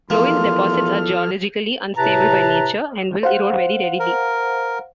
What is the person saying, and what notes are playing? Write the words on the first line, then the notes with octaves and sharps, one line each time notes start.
Loess deposits are geologically unstable by nature, and will erode very readily.
E2 F3 A#3 A4 C6 F6
A2 C3 B4 A5 A#5
C5 F5 F#5
A#4